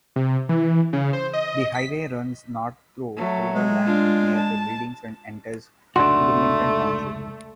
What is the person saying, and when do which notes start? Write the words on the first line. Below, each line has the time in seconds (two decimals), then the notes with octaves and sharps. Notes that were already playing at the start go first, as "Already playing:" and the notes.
The highway runs north through rural land with nearby buildings and enters Burlington Township.
0.16 C3
0.49 E3
0.93 C#3
1.13 C5
1.33 D#5
1.75 B6
3.16 F#3 A3
3.54 G#3
3.86 D4 F4
4.36 A5
5.96 F1 C#2 G#2 A3 D4 F#4 C6